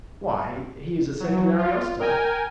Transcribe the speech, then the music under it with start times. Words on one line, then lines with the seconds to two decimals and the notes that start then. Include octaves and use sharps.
"Why, he is a second Ariosto."
1.20 F#3
1.58 F4
2.00 A#4 G5 G#5